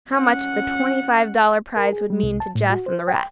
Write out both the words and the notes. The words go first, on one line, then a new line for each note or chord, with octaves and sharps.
How much the twenty-five dollar prize would mean to Jess and the rest!
C#4 F#5
A#4
G#4
G3
C2
A5
A2
F#4
C5
G5